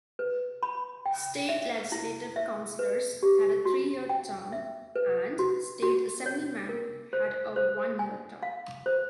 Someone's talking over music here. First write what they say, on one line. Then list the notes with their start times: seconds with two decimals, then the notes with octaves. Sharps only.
State Legislative Councilors had a three-year term and State Assemblymen had a one-year term.
0.19 B4
0.63 B5
1.06 G5
1.49 E5
1.92 E4
2.36 E5
2.79 B4
3.23 G4
3.65 F#4
4.09 G5
4.52 E5
4.96 B4
5.39 F#4
5.82 F#4
6.26 C#5
6.69 A#4
7.13 C5
7.56 C5
7.99 G#5
8.43 F5
8.86 C5